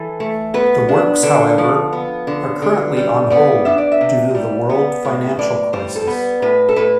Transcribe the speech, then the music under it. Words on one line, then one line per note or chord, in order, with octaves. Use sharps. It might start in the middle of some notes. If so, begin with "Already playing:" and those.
The works, however, are currently "on hold" due to the world financial crisis.
Already playing: E3 A4
A3
B3 B4
D4
D3 A4
F3
B3
D3
D3
G3
B3 D5
D4 E5
D5
E5
C3
G3
B3
A2
A2 D5
G3 C5
A4
B3 B4
A2 B4
A4
A2 B4